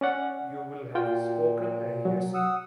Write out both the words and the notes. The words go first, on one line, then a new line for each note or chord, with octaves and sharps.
You will have spoken a heresy.
C#4 D5 F#5
A#2 F4 F#4 G5
F#3
F#5 D#6 E6